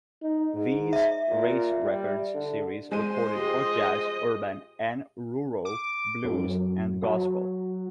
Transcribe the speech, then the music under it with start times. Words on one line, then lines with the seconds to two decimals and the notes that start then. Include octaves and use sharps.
These race records series recorded hot jazz, urban and rural blues, and gospel.
0.22 D#4
0.53 G#2
0.93 E5
1.29 A#2
1.83 G3
2.34 D3
2.92 G#3 C5 D#7
3.36 F4 G4 G#4 D#5
5.65 D6
6.25 F#2
7.02 F#3